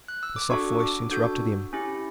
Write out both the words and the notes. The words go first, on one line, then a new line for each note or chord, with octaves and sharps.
The soft voice interrupted him.
F#6
E6
D6
D4 F#4 A4 C#6
D6
D4 F#4 A4 G6
C#4 E4 G4